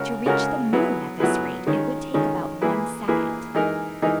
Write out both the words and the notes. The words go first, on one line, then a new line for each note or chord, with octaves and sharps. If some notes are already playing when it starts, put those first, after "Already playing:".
To reach the moon at this rate it would take about one second.
Already playing: C#3 G#3 C#4 F#4 A#4
C#3 G#3 C#4 F#4 A#4
F#3 B3 E4 G#4 B4
F#3 B3 E4 G#4 B4
D#3 G#3 C#4
D#3 G#3 C#4
E3 A#3 E4 G#4 B4
E3 A#3 E4 G#4 B4
E3 G#3 D#4 A#4
E3 G#3 D#4 A#4